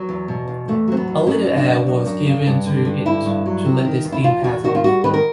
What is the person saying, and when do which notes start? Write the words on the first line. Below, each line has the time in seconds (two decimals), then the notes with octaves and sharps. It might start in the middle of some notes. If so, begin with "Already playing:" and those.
A little air was given to it to let the steam pass off.
Already playing: F#3 B3
0.09 E2
0.28 B2
0.47 E2
0.68 E2 A3
0.88 F#3 C4
0.97 B3
1.08 E2
1.27 F#2 C#4
1.46 F#2
1.57 D4
1.67 C#3
1.87 F#2
2.06 F#2
2.26 C#3
2.46 G2
2.66 D3
2.85 G2
3.05 D3 E4
3.25 G2
3.46 F#3
3.65 C3
3.85 D#3
4.05 E2
4.12 E4
4.24 E2 F4
4.44 E2 F#4
4.64 D#3 F#4
4.75 F4
4.84 G3 F#4
5.04 D#3 B4
5.14 A#4